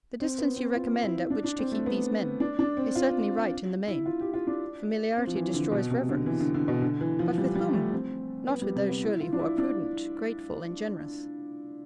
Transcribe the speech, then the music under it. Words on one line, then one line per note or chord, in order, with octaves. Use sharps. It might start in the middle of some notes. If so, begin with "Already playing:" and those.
The distance you recommend at which to keep these men, is certainly right in the main: familiarity destroys reverence: But with whom?--Not with those, surely, who are prudent, grateful, and generous.
C4
B3
C4
F4
E4
D4
D4
C4
A3
B3
D4
D4
C4
F4
E4
F4
G4
F4
D4
C4
F3
E3
D3
B2
C3
D3
E3
D3
D3
B2
D3
E3
F3
G3
G3
A3
C4
B3
G3
C3
B3
E4
F4
D4
E4
D4